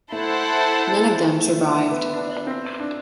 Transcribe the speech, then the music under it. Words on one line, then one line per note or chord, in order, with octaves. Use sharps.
None of them survived.
A3 E4 A4 C5 F#5 A5
A3
A3
B3
D4
C4
D4